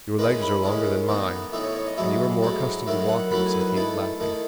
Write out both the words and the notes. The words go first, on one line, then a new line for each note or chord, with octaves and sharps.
"Your legs are longer than mine, and you are more accustomed to walking," said he, laughing.
D#3 G#3 C#4 E4 B4
G#5
B5
D#3 G#3 C#4 E4
A2 E3 B3 D#4
A2 E3 B3 D#4 E5
C#5
C#5
D#5
G#2 F#3 A3 E4 E5
G#2 F#3 A3 E4
D#3 F#3 A3 E4 E5
F#5
D#3 F#3 A3 E4 B5
G#5
B4
D#3 A3 E4 A4
D#3 A3 E4